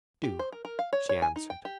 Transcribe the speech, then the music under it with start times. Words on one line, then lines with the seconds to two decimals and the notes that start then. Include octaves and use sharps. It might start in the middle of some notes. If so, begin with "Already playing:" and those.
"Do," she answered.
0.23 G4
0.39 C5
0.52 A#4
0.65 A#4
0.79 F5
0.93 C#5
1.09 C#5
1.22 G#5
1.36 D#4
1.50 G5
1.65 G4